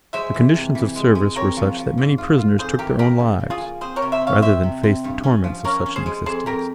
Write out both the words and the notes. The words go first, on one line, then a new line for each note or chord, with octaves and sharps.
The conditions of service were such that many prisoners took their own lives rather than face the torments of such an existence.
G#3 C5 E5
E3
C3
E3
G#3
G#3
C4 A#4 C#5
F3
F3
G#2
F4
F4
F2 G#4 C5
E3 G4 A#4
A#3 G4 A#4
C#3
C#3
F4 G#4
A#3
C4 G#4 C5
A#4 C#5
C3
C5 E5
C4
C#5 F5
C4 C5 E5
C3
C4
G2
C#4
F3
C#4 A#4 C#5
C#4
G#4 C5
G#3
F2 G#4 C5
F2 G4 A#4